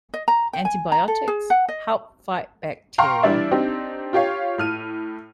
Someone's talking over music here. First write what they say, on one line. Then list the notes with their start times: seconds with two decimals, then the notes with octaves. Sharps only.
Antibiotics help fight bacteria.
0.14 D#5
0.28 A#5
0.53 G5
0.65 G#5
0.92 A#5
1.08 A4
1.28 G#4
1.50 F#5
1.69 D#5
2.98 F5 G5 A#5 C6 C#6 F6
3.23 E3 G3 D4 D5 E5
3.51 C4 D4 D#4 G4
4.13 F4 G4 C#5 F5
4.58 A2 F6 D#7